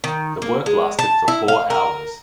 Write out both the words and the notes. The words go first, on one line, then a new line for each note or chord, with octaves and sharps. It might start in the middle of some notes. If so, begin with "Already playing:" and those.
The work lasted for four hours.
D#3
A#3
G#3
A5
E4
F5
A#4